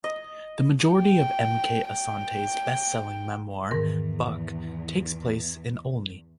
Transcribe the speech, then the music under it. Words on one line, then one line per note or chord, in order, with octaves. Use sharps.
The majority of M. K. Asante's bestselling memoir Buck takes place in Olney.
D#5
G5
G5
E2 G#2 D#3 A#4